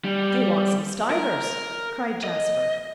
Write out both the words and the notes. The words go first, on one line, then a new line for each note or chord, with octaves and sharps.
"They want some stuivers," cried Jasper.
G3
A#4
D#5